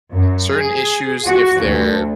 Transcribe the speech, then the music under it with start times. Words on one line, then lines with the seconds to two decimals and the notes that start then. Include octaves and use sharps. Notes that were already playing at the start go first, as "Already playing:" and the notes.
certain issues, if they're
0.13 F#2
0.51 G#4
1.26 F#4
1.62 D2